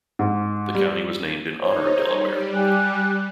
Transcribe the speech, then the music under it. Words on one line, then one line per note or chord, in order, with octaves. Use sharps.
The county was named in honor of Delaware.
G#2
G3
D#4 C5 C#5
G3
G4 G#5 F#6